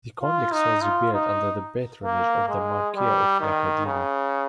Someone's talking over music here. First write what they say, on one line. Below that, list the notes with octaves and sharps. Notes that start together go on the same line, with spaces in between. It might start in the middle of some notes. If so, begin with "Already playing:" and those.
The complex was repaired under the patronage of the Marquis of La Cadena.
F4
D#4
F4
D#4
A#3
G#3
G3
D#3
C#3